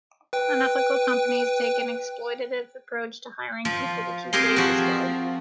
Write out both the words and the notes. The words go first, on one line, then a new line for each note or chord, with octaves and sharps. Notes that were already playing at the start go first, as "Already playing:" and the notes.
Unethical companies take an exploitative approach to hiring people to keep wages low.
B4 G5
F3
C4 G4 G#4 A#4 C6
F3 F#4